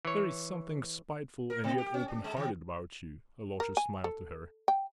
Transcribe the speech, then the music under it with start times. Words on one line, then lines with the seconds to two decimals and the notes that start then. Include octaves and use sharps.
"There is something spiteful and yet open-hearted about you," Alyosha smiled to her.
0.05 E3 C#5
1.50 A#4
1.64 B2
1.78 G4
1.94 C#4
2.08 D4
2.24 G#3
2.37 D#3
3.60 A#4
3.77 G#5
4.04 A4
4.68 G5